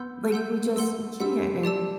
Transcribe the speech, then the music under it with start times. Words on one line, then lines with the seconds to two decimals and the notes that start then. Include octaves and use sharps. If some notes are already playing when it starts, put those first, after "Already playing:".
Like, we just we can't." And
Already playing: B3 F#5 C6 E6 G6
0.32 F#5 C6 E6 G6
0.76 A3 F#5 C6 E6
1.20 G3 F#5 C6 E6
1.63 G4 D5 A5 E6